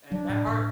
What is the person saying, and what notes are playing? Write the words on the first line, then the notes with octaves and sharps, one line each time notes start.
And that hard
F#3 D4
A2
A2